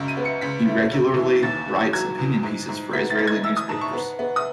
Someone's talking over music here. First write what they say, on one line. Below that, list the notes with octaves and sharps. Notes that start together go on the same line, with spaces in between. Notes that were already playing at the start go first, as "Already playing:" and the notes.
He regularly writes opinion pieces for Israeli newspapers.
Already playing: C#2 F#2
D#7
B3
C#7
C#2 B6
A3
F#2
E3
D#2 A6
E3
F#3 G#6
E2
G#2
G#2
B3 B6
A6
G#3
G#6
E3 E6
D#6
G#2 A5
C#6
B3
B3
D#6